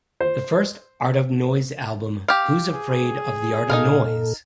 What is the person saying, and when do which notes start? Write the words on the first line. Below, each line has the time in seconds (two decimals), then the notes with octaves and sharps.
The first Art of Noise album, Who's Afraid of the Art of Noise?
0.20 C5
2.28 G4 F5
2.73 G#4
3.70 A#2 D#4 A4 A#4 F5